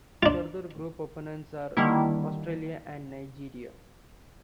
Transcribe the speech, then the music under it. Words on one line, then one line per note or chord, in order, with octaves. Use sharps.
Further group opponents are Australia and Nigeria.
D4 F4
D3 D#3 G3 A#3 E4